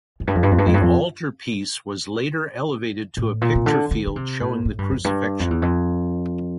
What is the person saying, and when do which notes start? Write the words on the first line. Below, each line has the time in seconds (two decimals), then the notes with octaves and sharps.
The altarpiece was later elevated to a picture field showing the Crucifixion.
0.20 F2
0.27 G2
0.35 F2
0.43 G2
0.51 F2
0.58 G2
0.66 F2
0.74 G2
0.82 F2
3.17 A2
3.41 A#2
3.55 C3
3.66 D3
3.91 D3
4.07 D3
4.16 C3
4.41 A2
4.65 A2
4.79 G2
4.92 F2
5.04 G2
5.40 F2
5.50 E2
5.62 F2